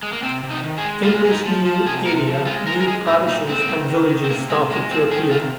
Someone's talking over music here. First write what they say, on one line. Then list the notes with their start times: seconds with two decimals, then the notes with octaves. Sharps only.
In this new area, new parishes and villages started to appear.
0.03 G#3
0.13 A#3
0.23 C3 C4
0.43 C3
0.50 D#4
0.63 D#3
0.78 G#4
0.84 G#3
1.04 G#3 F4
1.25 G#3
1.31 D#4
1.45 F3
1.65 F3
1.86 C3 G#4
2.06 C3 A#4
2.27 F3
2.46 G#3 F4
2.67 G#3 A#4
2.81 A#4
2.87 G#3 G#4
3.07 A#2 D#4
3.28 A#2 D#4
3.48 G#3 C4
3.69 D#3
3.89 D#3
4.09 D#3
4.24 C4
4.30 C3 A#3
4.50 C3 G#3
4.70 G#3 A#3
4.91 F3 C4
5.11 D#3 G#4
5.31 C3 F4